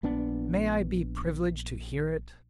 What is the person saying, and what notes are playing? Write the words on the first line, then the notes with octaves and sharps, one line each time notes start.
May I be privileged to hear it?
A#1 B3 D4